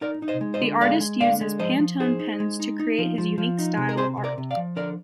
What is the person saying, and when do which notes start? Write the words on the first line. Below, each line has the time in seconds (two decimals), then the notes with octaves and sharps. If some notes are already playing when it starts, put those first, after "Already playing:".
The artist uses Pantone pens to create his unique style of art.
0.01 D#4 A#4 D5
0.22 D#4
0.28 C5 D#5
0.41 G#3
0.54 C5 D#5
0.62 D3
0.81 G#3 D5 F5
1.00 G#3
1.21 D3 D5 F5
1.41 G#3
1.59 F3 C5 D#5
1.79 F3
2.00 D#4 G#4 C5
2.20 D#4
2.40 G#3
2.60 D#4
2.80 D#4
2.98 F3
3.18 F3
3.38 F3
3.59 D#4
3.77 C3
3.89 A#4
3.97 C4 G#4 C5
4.17 C3
4.24 A#4 D5
4.38 C3
4.51 D5 F5
4.57 F3
4.76 D3 A#4 D5